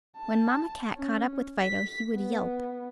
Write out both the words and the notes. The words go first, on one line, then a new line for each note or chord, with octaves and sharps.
When Mamma Cat caught up with Fido he would yelp.
A5
C#4
B6
B3